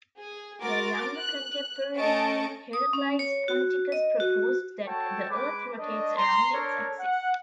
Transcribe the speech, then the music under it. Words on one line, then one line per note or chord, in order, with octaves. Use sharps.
Their younger contemporary Heraclides Ponticus proposed that the Earth rotates around its axis.
G#4
F#4 A#4 C6 D6 A6
F#6
A3 C#4 D#5 A5 C#6 D7
D#6
C#4
C#5
F#4
D#5
F#4
F#4 A4 C#5 G5 A5
G#3 B4 D6
D4 C#5 D#5
A#5 C6
D4 A4 A#4 C#5
F#5